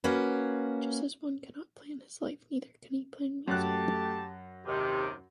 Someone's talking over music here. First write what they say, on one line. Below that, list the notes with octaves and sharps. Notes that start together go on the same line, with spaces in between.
Just as one cannot plan his life, neither can he plan music.
A#3 C#4 F#4 B4
F#2 A3 G4 A5 F#6
D#2 C3 D#3 G4